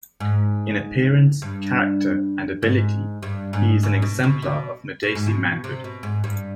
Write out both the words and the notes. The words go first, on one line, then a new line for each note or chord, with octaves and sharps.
In appearance, character, and ability, he is an exemplar of Madesi manhood.
G#2
G2
G#2
G2
G#2
G#2
B2
B2
B2
B2
G#2
B2
C3
B2
G#2
G2